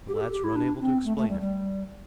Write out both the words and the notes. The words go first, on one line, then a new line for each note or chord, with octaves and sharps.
The lads were unable to explain it.
G4
A4
G4
G4
E4
D4
C4
A3
A3
G3
G3